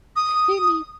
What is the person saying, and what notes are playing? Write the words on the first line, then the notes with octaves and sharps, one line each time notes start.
He need
D#6